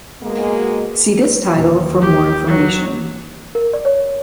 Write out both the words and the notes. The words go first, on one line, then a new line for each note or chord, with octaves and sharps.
See this title for more information.
B2 G#3 A#3
D#2
G4
F#3
A#4
D5
C#5